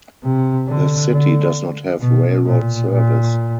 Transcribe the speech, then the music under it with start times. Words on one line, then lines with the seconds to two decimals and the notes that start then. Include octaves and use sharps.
The city does not have railroad service.
0.23 C3
0.68 D3
1.12 D3
2.01 B2
2.46 A#2
2.90 A#2